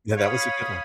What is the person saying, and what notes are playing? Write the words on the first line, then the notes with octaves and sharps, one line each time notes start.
Yeah, that was a good one.
C#5 F5 B5 D#6